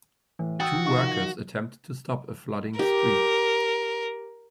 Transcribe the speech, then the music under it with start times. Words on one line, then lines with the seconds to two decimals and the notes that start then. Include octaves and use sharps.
Two workers attempt to stop a flooding street.
0.39 A2 E3
0.60 F#4 G5 D#6 E6 A6
0.86 D#3 F3 F#5 C#6
2.79 G4 A#4